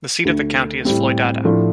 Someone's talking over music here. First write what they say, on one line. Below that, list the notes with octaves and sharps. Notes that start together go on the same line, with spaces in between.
The seat of the county is Floydada.
D2 D3 A3
A2 G3 C4
A2 F3 A3 D4